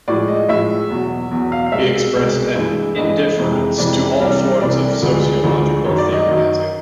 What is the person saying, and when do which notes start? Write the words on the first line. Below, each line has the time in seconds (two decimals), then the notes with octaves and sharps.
He expressed an "indifference" to all forms of sociological theorizing.
0.08 A2 F3 G#3 D5
0.28 D#5
0.49 A2 F3 G#3 E5
0.90 E2 B2 F#3
1.31 E2 B2 F#3
1.52 F5
1.66 F5
1.72 C2 B2 G#3 E5
2.14 C2 B2 G#3
2.55 G2 E3 G#3
2.96 G2 E3 G#3 D#5
3.37 F2 C3 E3 G#3
3.78 F2 C3 E3 G#3 D5
4.20 C2 C3 E3 G3
4.61 C2 C3 E3 G3 D5
5.02 D2 D3 F3 G#3
5.44 D2 D3 F3 G#3
5.84 F#2 D#3 F#3 C#5
5.98 D5
6.12 D#5
6.26 F#2 D#3 F#3